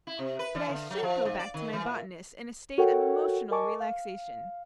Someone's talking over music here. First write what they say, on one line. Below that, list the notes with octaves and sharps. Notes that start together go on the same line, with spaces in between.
But I should go back to my botanist in a state of emotional relaxation.
E4
C3
B4
E3
D3
F#3
F3
G#2
D5
D#3
E3
A#2
F#4 A4 A#4 C#5 F#5 G5
A#4 D#5 G#5 A5 C#6 D6
F5